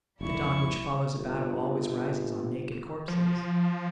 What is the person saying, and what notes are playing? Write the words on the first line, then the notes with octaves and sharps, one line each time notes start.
The dawn which follows a battle always rises on naked corpses.
F1 C2 G3 E4 C#6
G1
F3